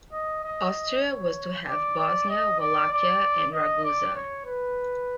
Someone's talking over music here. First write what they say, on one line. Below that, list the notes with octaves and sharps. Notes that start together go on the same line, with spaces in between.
Austria was to have Bosnia, Wallachia and Ragusa.
D#5
D#5
C#5
D5
D5
D#5
D5
D5
D#5
D5
C#5
B4